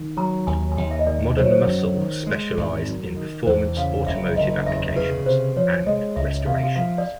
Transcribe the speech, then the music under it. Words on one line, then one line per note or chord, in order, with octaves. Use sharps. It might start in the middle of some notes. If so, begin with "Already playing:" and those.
Modern Muscle specialized in performance automotive applications, and restorations.
Already playing: D#3
F#3 A#5
D#2 G#5
G#5
D#2 G5
E5
D#5
D#3 D5
F#3 C5
C#5
C5
F#2
D#3
G#3
G#1
F#2
D#3
E2 C5
C#3 F5
F#1 E5
F#1 D#5
E2 E5
C#3 B4
C3 C5
F3 C#5
G#3 D#5
C#2 E5
C3 F5
E5
F5
F3 F5
D5